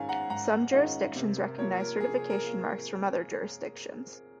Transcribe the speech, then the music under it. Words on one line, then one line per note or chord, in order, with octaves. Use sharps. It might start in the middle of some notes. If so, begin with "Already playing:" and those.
Some jurisdictions recognise certification marks from other jurisdictions.
Already playing: G#2 D#3 G#3 C#4 F4 F5 G#5
F#5 A#5
G#2 F#5 A#5
D#3 G#3 C#4 F4 D#5 F#5
C3 A#4
A#4
F3 A#3 A#4 C#5
A#4
C3 G#4
A#4
F3 A#3